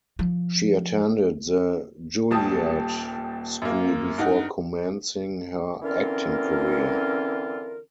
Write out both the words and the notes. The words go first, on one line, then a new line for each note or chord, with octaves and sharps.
She attended the Juilliard School before commencing her acting career.
F3
D#1 G3 G4 A5 D#6
F#2 A#3
G2 D#4 F#5
D3 E3 C4 C#4 F4 A#4